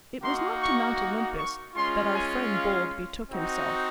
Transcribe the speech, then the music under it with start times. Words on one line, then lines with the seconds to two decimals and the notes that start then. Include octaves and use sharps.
It was not to Mount Olympus that our friend Bold betook himself.
0.22 A#3 D#4 F#4 C6
0.61 C#6
1.37 C#6
1.75 G#3 C#4 F4 C6
2.14 G#5
2.52 F5
3.29 C4 D#4 F#4